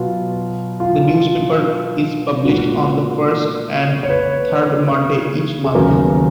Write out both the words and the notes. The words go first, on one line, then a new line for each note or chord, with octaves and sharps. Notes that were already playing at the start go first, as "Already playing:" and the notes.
The newspaper is published on the first and third Monday each month.
Already playing: B2 F#3 B3 F4
F4
A#2 G#3 B3 F#4
C#5
B4
G#4
D#2 C#3 F#3 B3 A#4